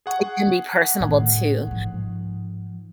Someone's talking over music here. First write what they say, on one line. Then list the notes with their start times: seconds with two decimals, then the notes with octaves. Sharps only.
It can be personable too.
0.06 G#4 F#5 C#6
1.00 A2 D#3
1.67 G#2 F3